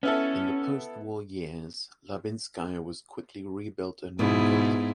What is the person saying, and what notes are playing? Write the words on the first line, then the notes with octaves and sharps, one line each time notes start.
In the post-war years, Labinskaya was quickly rebuilt and renovated.
B3 C#4 E4 A4
G#2 B2 E4